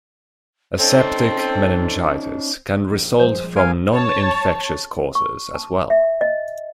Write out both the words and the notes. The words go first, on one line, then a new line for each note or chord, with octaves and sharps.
Aseptic meningitis can result from non-infectious causes as well.
C4 C#4 D#4 A4 C5
A#1
C#4
F3 G3 G#3 C5
C4 A#4 F5 G#5
C#5 A5
C#6
A5
E5
D#5